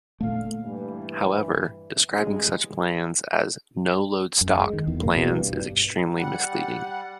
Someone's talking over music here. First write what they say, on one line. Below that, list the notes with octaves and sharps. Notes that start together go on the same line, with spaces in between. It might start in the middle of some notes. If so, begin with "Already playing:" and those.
However, describing such plans as "no-load stock" plans is extremely misleading.
A#2 D3 A3 A4 F5
G2 E3
A1 G#3
F#2
G#3
D#3
E2
A#3
B2
G2
G2
G3 F#5